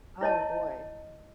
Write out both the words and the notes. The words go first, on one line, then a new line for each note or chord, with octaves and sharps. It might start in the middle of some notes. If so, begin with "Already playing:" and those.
Oh, boy.
E4 C#5 D#5 A5